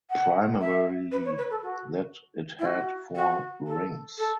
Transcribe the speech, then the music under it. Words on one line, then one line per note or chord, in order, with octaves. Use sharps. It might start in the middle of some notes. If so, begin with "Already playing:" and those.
Primarily that it had four rings.
F#5
E5
B4
C#5
B4
A4
F#4
E4
F#4
F#4
A4
A4